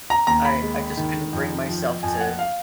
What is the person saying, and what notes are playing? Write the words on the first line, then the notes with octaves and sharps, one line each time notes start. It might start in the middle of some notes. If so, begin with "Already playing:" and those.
I I just couldn't bring myself to
A#5
D#2 A#5
B5
G#3
D#3
F2
F3
F2 G#5
F#5
F5